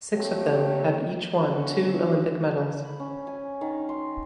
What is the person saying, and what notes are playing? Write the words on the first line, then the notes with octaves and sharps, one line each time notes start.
Six of them have each won two Olympic medals.
C3 A3 A#3 G4 C#5
B3 C#4 D4 F#4
B5
C#4
G#5
D#3
C6